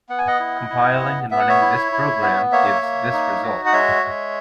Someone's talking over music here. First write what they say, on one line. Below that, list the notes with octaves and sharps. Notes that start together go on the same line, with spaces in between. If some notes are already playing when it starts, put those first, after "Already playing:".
Compiling and running this program gives this result.
B3 F#5
G#5
D#5 F#5
E4
E4
B3
B3 E5
F#5
C#5 E5
E4
E4
B3
A#3 C#5 E5
A#3
D#4
F#4
F#5
G#3 C#5 E5
G#3